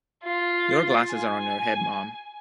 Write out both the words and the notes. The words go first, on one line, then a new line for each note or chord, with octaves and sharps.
Your glasses are on your head, mom.
F4
G#5